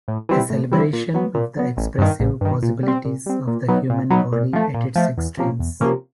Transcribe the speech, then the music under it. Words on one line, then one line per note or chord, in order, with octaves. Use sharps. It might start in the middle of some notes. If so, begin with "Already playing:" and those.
A celebration of the expressive possibilities of the human body at its extremes.
A2
E3 G3 C4 E4
A2
E3 G3 C4 E4
A#2
F#3 B3
A#2
F#3 B3
A1
G2 D#3
A1
G2 D#3
A#2
G3 C4
A#2
G3 C4
A#2
F#3 B3 D#4
A#2
F#3 B3 D#4
A#2
F3 A3
A#2
F3 A3
E2
C3 F3 A#3 C#4
E2
C3 F3 A#3 C#4